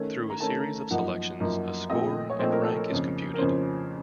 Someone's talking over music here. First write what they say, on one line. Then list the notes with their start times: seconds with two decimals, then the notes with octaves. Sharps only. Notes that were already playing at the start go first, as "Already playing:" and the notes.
Through a series of selections, a score and rank is computed.
Already playing: D#3 A3 C#4
0.30 A#5
0.40 D#3 A3 C#4 A5
0.90 F#2 F3 A#3 D#4 F#5
1.40 F#2 F3 A#3 D#4
1.90 A#2 F3 A3 C4 D#4 D#5
2.30 C#5
2.39 A#2 F3 A3 C4 D#4 C5
2.52 A#4
2.64 A4
2.77 A#4
2.89 F2 C#3 F3 A#3 C#4
3.34 A#4
3.38 F2 C#3 F3 A#3 C#4 C5